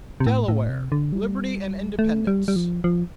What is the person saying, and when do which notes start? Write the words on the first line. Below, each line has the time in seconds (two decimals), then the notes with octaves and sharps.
Delaware--Liberty and Independence.
0.20 C3
0.27 A2
0.48 A2
0.69 C3
0.92 D3
1.12 G3
1.99 A3
2.27 G3
2.48 G3
2.56 F3
2.84 F3